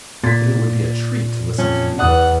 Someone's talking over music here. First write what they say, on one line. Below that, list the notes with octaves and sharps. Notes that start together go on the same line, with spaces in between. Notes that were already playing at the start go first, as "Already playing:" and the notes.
But it would be a treat to listen to you.
A#2 A6 B6
F2 C#4
E2 D5 F#5 D#6 F#6